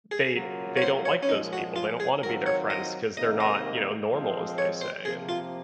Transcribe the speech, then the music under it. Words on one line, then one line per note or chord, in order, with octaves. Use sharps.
they they don't like those people, they don't wanna be their friends 'cause they're not, you know, "normal," as they say and
G#4
C#3 F#3 A#3 F4
C#5
C5
C#5
C#4
A#2 F3 G#3 D#4
F#4
F4
G#4
D#3 F#3 C4 F4 A#4
C#5
D#5
C3 D#3 A#3 D#5
D#5
A#2 F3 G#3 C4
C#5
C5
C3 F3 A#3 G#4
F4